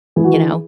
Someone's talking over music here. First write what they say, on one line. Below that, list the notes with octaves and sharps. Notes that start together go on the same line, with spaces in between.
you know,
E3 G#4
F#4
G#4